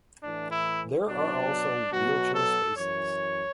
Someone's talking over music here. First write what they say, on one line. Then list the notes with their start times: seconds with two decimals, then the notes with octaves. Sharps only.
There are also wheelchair spaces.
0.23 A2 E3 D4
0.52 E4
1.08 B2 F#3 D4
1.92 B2 F#3 F#4
2.35 A4
2.77 F#2 E3 C#5